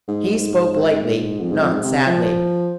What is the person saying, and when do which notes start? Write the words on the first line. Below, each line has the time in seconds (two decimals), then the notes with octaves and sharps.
He spoke lightly, not sadly.
0.08 G#2
0.30 G#2
1.40 F2
1.51 G#2
1.61 F2
1.73 G#2
1.84 C3
2.06 F3